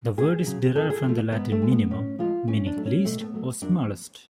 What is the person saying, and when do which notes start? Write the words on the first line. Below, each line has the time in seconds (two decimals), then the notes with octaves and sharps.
The word is derived from the Latin "minimum", meaning "least" or "smallest".
0.17 D2 G#4
0.46 C#3 F#3
0.75 F2 A4
0.90 G#4
1.04 F3 A3
1.32 G#2 B3
1.52 A3
1.62 G#3
1.72 B3
1.91 A2 C#4
2.19 F3 G#3 F4
2.47 G#2 C#4
2.66 D4
2.76 F#3 A3
2.86 C#4
3.05 B2 A3
3.20 A3
3.24 B3
3.34 F#3 A3
3.62 F#2 D4